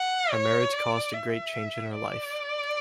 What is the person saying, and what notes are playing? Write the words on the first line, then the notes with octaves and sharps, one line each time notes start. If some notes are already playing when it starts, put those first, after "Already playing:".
Her marriage caused a great change in her life.
Already playing: F#5
C#5
D5
E5
D5